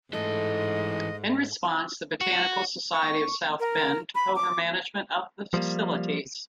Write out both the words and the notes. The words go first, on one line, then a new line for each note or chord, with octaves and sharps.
In response, the Botanical Society of South Bend took over management of the facilities.
G#2 E3 A3 A4 D#5
F#4
C#6
A#4
B5
D6
F3 G3 A#3